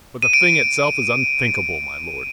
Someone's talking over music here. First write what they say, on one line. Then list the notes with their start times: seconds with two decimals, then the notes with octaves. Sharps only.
But the thing itself is unthinkable, my lord.
0.22 D#7
0.33 D7